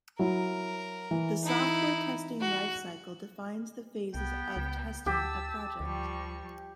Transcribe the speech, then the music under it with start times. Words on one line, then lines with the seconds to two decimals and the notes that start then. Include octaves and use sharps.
The software testing life cycle defines the phases of testing a project.
0.19 F#3 E4 A#4
1.11 E3
1.44 D#4 E4
2.41 F#4
4.15 C2 B3 G5
4.56 C#2
5.06 D2 G4 A5 E6
5.80 D2 F3 G3 C#6